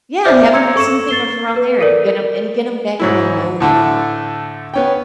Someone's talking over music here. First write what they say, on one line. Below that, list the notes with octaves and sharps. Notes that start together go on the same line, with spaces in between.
Yeah, have him do some things around there and get him and get him back in the mode of work.
C5 D5 E5 D6 F6 G6
A#5 C6 E6 G#6 C#7
A4 C#6 E6 C#7 E7
A6 C7 G7
B4
A4 A#4 D5
G#2 F#3 E4
A2 D3 A3
B3 C#4 G5